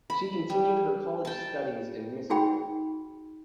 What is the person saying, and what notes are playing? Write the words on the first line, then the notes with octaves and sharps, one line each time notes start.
She continued her college studies in Mysore.
B5
G3
G5 A5
D#4 F#4 G#4 G5 B5